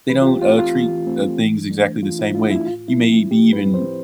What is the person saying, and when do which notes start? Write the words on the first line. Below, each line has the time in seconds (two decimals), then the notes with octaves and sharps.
they don't, uh, treat, uh, things exactly the same way. You may be even
0.10 E3 B4
0.22 F4
0.26 G4
0.42 A3 C4 F4
0.59 F4
0.74 E3
1.06 A3 C4
1.39 E3
1.71 A3 D4
2.03 E3 F4
2.19 E4
2.35 A3 D4 F4
2.51 E4
2.66 A2 F4
2.88 E4
2.99 F3 C4
3.31 A2 G4
3.53 B4
3.63 F3 C4
3.74 C5